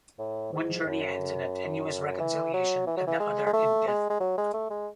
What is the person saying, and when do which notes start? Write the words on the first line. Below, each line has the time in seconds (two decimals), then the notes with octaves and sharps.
One journey ends in a tenuous reconciliation, and the other in death.
0.19 A2
0.53 G#2
0.87 F#2
2.20 E3
2.53 F#3
2.87 E3
2.97 F#3
3.07 E3
3.20 G#3
3.46 G#3
3.53 A3
3.87 G#3
4.10 G#3
4.20 F#3
4.38 G#3
4.53 A3
4.70 G#3